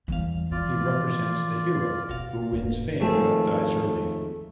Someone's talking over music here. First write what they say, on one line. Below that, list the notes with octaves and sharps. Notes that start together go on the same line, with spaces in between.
He represents the hero who wins fame but dies early.
E2 E3 G3 F5
F3 F4 D5
B2 F#4 F5
D#1 G2
D#2 F3 A3 C4 G#4 A4